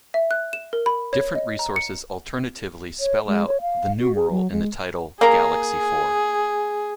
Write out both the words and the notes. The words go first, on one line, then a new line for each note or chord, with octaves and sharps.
Different resources alternatively spell out the numeral in the title: "Galaxy Four".
E5
F#6
E7
A#4
B5
C#5
D#5
A#5
C#7
C#5
G#3
C#5
F5
F#4
G#4
F#3
G#3
A#3 G#4 A#5